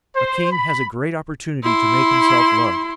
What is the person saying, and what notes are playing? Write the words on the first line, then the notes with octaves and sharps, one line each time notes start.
A king has a great opportunity to make himself loved.
C5
B5
E4 C6